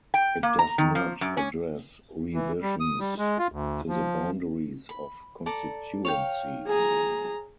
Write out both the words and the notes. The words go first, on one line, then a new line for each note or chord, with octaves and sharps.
It does not address revisions to the boundaries of constituencies.
G5
A#3
A#5
D#3
F3
F#2
C#4
E3
G3
D#6
G3
G#3
F4
D2
F3
B5
A4 D5 A#5
C#5 F5 G5
G#4 A#5